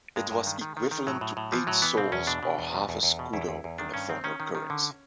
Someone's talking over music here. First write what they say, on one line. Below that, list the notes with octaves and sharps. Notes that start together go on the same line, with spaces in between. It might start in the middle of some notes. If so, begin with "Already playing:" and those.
It was equivalent to eight "soles" or half a "scudo" in the former currency.
G2 G#3
G2
D#3
D#3
D#3
D#3
A2 F#3
A2
A2
E3 F3
A2 F#3
E3 B3
B2 C4
E2 C#4
B2 D4
B2
E2
B2
E2
E2
B2
E2 E4
E2
E2
D#3 D4
G2 C#4
D#3 C4
D#3 C#4
D#3
D#3
D3